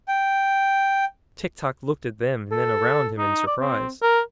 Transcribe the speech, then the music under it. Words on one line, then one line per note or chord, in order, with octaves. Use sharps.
Tik-Tok looked at them and then around him in surprise.
G5
A4
D#4
D5
C4
A#4